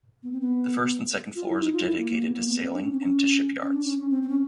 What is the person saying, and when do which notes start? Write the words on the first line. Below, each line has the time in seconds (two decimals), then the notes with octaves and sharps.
The first and second floors are dedicated to sailing and to shipyards.
0.23 B3
0.32 C4
0.41 B3
1.35 F4
1.48 E4
1.61 D#4
1.73 F4
1.85 E4
1.98 A#3
2.11 A#3
2.23 B3
2.35 A#3
2.48 B3
2.60 C4
2.73 D4
2.82 C#4
2.92 C4
3.00 C#4
3.61 C#4
3.73 D4
3.85 C#4
3.98 C#4
4.10 C4
4.23 C4
4.29 C#4